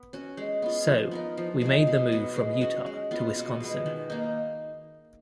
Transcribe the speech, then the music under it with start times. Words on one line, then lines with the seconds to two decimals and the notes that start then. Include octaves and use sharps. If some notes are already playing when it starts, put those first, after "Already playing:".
So, we made the move from Utah to Wisconsin.
Already playing: B3
0.13 C#4 F#4
0.37 G#3
0.62 B3 F4
0.87 F3
1.11 B3 D#4 A#4
1.37 F3
1.61 G#3 D#4 G#4
1.87 B2
2.12 F#3 B3
2.36 G#3
2.61 C#4 F#4
2.86 G#3
3.11 B3 F4
3.36 B2
3.60 G#3 B3
3.86 D#3
4.10 A#3 D#4